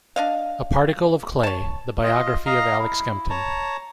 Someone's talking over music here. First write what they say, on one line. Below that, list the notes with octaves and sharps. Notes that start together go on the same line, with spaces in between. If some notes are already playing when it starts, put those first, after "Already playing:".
"A Particle of Clay: the Biography of Alec Skempton".
D4 D#5 F5
C#5 A5
F4 D#5
D#5 F5 A#5
E4
C#5 A5 A#5